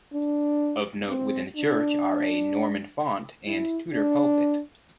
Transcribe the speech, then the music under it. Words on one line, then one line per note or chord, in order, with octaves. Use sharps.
Of note within the church are a Norman font and Tudor pulpit.
D4
C4
D4
E4
D4